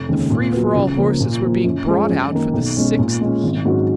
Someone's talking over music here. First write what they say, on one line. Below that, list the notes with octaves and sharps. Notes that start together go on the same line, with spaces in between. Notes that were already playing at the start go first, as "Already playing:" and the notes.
The free-for-all horses were being brought out for the sixth heat.
Already playing: F1
D#2 C#3 G#3
A#2
F#3 B3
C#2
C#3 F3 A#3
A#2
F3 A#3
F#2
F3 G#3 C#4 G#4
F#2
D#3 A#3
B1
B2 G#3 C#4
A#2
G#3 C#4
G#1
G#2 F#3 C#4 F#4